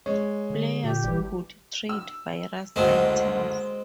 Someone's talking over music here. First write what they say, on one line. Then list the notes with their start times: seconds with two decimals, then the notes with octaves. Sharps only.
Players could trade various items.
0.06 G#3 C#5
0.50 D3
0.84 A#2 G4
1.04 G#1 E3 G3
1.89 E6
2.76 F#1 D2 G#3 C4